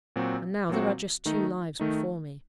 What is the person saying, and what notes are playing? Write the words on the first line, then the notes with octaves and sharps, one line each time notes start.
And now there are just two lives before me.
A#2 F#3 C4 F#4
A#2 F#3 C4 F#4
D#3 A3 D#4
D#3 A3 D#4